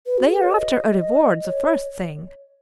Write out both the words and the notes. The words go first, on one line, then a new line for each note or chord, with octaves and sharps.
"They are after a reward the first thing."
B4
F#4
G#4
B4
C#5
D#5
D#5
C#5